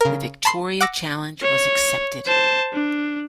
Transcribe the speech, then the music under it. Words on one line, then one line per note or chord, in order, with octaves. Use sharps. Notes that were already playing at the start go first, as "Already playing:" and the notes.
The Victoria challenge was accepted.
C#3 A#4
A5 B5 C6 C7
F#5 D6 E6 A#6
C#5
C5 A5
D4